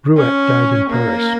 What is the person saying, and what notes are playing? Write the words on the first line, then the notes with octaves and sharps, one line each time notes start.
Ruwet died in Paris.
C#4
A#3